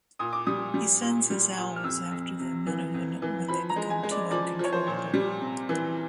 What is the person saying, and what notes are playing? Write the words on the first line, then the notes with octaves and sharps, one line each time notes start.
He sends his owls after the Menehune when they become too uncontrollable.
A#2 D#6
D6
G3 D#6
G3
A#2
G3
A#2
F6
F2 E6
F2
C3
E3
F2
E3
F3 B5
A#5
G#3
G#5
G#3
D5
F3 D5
F3
C#5
C5
A#2
G3
C3
E3